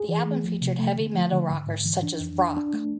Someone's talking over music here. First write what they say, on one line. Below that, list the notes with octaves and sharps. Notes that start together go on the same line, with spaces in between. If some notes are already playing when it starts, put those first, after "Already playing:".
The album featured heavy metal rockers such as Rock!
Already playing: G#4
E3
A3
F3
C3
A3
D3
F3
D3
G#2
G#2
E3
D4
F2
D4
D4
A3